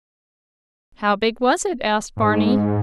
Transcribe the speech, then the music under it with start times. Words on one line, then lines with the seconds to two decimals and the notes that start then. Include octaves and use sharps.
"How big was it?" asked Barney.
2.17 G#2